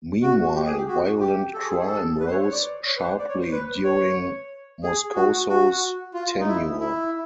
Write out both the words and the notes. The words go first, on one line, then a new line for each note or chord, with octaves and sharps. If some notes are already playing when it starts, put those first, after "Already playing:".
Meanwhile, violent crime rose sharply during Moscoso's tenure.
F#4
G4
G#4
G4
F#4
G4
A4
G#4
G4
G#4
A4
B4
C5
C#5
C#5
D5
C#5
B4
C5
D5
C#5
C5
B4
C#5
G#4
F#4
F#4
F4
D#4
E4
E4